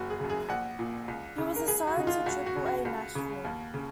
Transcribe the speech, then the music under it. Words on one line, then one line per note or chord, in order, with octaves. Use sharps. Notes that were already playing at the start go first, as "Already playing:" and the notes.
He was assigned to Triple-A Nashville.
Already playing: F#1 F#4
G#4
F#2 C#3
G#4
A#1 F#5
A#2
C#2
C#3
A#4
C#2 G#4
F#4
C#3 D#4
F4
C#2 F#4
F#4
C#3
F#4
C#2
C#3
D#2
C#3